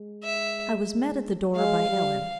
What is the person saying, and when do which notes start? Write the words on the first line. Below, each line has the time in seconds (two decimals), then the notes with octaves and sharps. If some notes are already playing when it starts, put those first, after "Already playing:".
I was met at the door by Ellen.
Already playing: G#3
0.24 E5
1.56 G#3 F5
1.89 G3